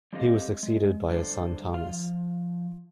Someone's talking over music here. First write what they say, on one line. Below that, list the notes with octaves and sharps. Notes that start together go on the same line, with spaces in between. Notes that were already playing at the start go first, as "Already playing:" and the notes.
He was succeeded by his son Thomas.
G3 C4 G4 A4 D#5 F5
G#3
D3 G3 A3 A4 C5
F4 F5
F3